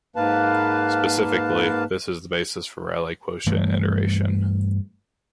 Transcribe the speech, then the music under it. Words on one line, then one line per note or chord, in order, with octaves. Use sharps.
Specifically, this is the basis for Rayleigh quotient iteration.
G#2 A#3 B4 F5 A5
G2 E3 A3